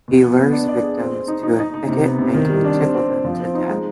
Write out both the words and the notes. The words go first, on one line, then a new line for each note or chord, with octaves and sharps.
He lures victims to a thicket and can tickle them to death.
B2
B3
B3
D4
D5
G#4
C4
C4
D#4
D#4
D#4
D#4
C3
B3
C3
D#3
G3
D4
C4
C4
C4
F3
C4
D#4
G#3